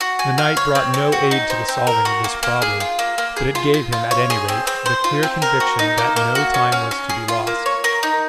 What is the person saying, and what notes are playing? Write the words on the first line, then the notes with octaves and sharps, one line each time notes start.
The night brought no aid to the solving of this problem; but it gave him, at any rate, the clear conviction that no time was to be lost.
F#4
G#5
F5
C#5
C4
C4
F#4
D#4
C4
C4
A#4
F#4
A#3
A#3
G#4
F4
A#3
A#3
G#4
F4
F4
F4
C#5
G#4
C4
C4
C5
F4
C4
A#4
F#4
D#4
A#3
A#3
F#4
C#4
C#4
C#4
G#4
F4
A#3
C#5
A#4
D#4